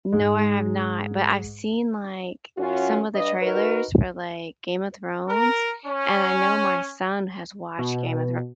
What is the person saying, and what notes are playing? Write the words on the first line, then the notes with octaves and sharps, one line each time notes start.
No, I have not. But, I've seen, like, some of the trailers for, like, "Game of Thrones," and I know my son has watched "Game of
G#2 G#3
F#2 C#4 F4 F#4
G2 D#5
D#4 F#4 A#4 B4
A#4
C#4
B2